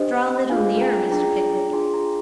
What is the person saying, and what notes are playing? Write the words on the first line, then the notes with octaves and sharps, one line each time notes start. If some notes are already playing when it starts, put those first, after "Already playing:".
Draw a little nearer, Mr. Pickwick.
Already playing: D4 G4 C5 D#5
D4 F4 G#4 F5 G#5
G5 A#5
D4 F4 G#4 G5 A#5
D4 F4 G#4 G#5 C6
G5 A#5